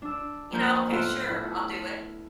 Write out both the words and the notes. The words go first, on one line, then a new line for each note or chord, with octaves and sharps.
you know, "Okay, sure, I'll do it."
D4 E6
F2 A#3 G6
A2 A3 B3 F4 A4 F#6
B3 E4